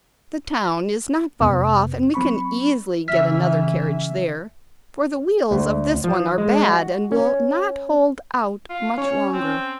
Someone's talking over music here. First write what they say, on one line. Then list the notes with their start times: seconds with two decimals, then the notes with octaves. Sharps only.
The town is not far off and we can easily get another carriage there, for the wheels of this one are bad and will not hold out much longer.'
1.41 F2 C3 B3
2.14 F#3 C4 B5 C#6
3.08 C#3 E3 E5 F6 B6
5.51 D2
6.04 F3
6.38 G#3
6.66 F#4
7.12 C#4
8.69 F4
8.98 C#4 C#5
9.33 C4